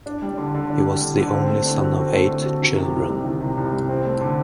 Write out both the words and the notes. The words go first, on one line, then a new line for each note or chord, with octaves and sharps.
He was the only son of eight children.
D4
G3
D3
D3
D4
G3
D3
D3
C4
A3
D3
F#4
C4
A3
D3
F#4
D#3
C3
C2
G3
D#3
C3
C2
G3
C4
A3
D3